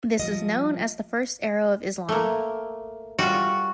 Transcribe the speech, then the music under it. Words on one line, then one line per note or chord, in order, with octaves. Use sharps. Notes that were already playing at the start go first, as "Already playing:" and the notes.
This is known as the first arrow of Islam.
F3 G3 D#5
A3 A#3
G3 F4 F#4